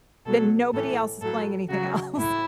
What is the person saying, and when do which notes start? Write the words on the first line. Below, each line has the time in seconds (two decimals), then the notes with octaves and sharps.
then nobody else is playing anything else.
0.25 B2 F#3 A4
0.73 A2 E3 A4
1.21 A2 F#3 A4
1.69 C#3 F#3 F#4
2.17 A2 E4